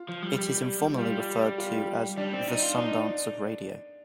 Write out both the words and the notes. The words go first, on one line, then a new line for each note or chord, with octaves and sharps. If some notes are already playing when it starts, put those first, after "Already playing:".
It is informally referred to as the "Sundance of Radio".
Already playing: F4
F3
G3
G4
G3 F4
F4
G3 D4
C4
D#4
F4
D4 D#4